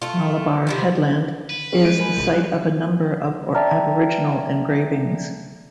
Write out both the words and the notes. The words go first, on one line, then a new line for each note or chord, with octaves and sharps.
Malabar Headland is the site of a number of Aboriginal engravings.
A3 F4
C3 F3 E4
B4
C4 C#4 G#4
G#3 F#6 G6 D7
A#4 G#5 B5
B1 C#3 G#3
G3 F4 F#6
D5 E5 G5 A5 A#5 F6